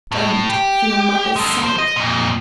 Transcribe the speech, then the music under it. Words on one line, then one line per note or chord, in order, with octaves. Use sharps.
Don't, for your mother's sake.'
A2
G4
G#3 A4
F3 C5
D#5
F2 A#2